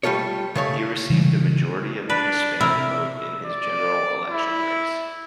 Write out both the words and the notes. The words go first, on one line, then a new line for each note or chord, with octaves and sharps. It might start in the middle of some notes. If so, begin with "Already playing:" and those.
He received a majority of the Hispanic vote in his general election race.
G3 A3 F4 A4 C#5
C#3 A3 C#5
C#3 E3 G3
D4 B4
C3 E4 A#4 E5
D5
E4